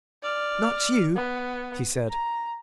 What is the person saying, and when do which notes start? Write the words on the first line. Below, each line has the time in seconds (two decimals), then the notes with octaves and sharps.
"Not you!" he said.
0.23 D5 F6
1.15 B3
2.10 A#5